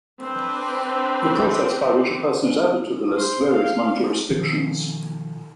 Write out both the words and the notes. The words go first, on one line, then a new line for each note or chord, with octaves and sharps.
The process by which a person is added to the list varies among jurisdictions.
C4 D4 B4
C5
F5
B2 D#3 F3